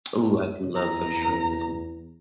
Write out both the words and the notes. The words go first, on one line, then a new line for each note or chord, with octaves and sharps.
Ooh, I do love some shrimp with some
E2 A#5